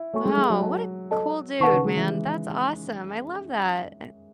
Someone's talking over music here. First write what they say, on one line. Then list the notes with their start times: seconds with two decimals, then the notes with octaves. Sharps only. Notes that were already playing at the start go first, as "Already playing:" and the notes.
Wow, what a cool dude, man. That's awesome, I love that. And
Already playing: E4
0.13 A3 F#4 C#5 G#5 C#6
0.25 G#3
0.38 G#3
0.50 F#3
0.62 A4 D#5 A5
1.11 A4 D#5 A5
1.60 D#3 B4 F#5 A5 C#6
1.73 C#3
1.85 G#3
1.97 E3